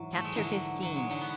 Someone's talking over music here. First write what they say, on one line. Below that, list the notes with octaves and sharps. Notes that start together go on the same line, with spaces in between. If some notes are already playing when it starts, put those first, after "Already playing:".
Chapter XV.
Already playing: G#2 E3 F#3
A3
G#3
D3 E3 F#3
E3 F#3
G#3
D3 F#3
B3